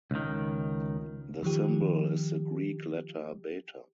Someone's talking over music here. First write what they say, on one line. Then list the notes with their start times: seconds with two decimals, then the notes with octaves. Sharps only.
The symbol is the Greek letter beta.
0.11 C#2 D#3
1.43 D#3 F3 G4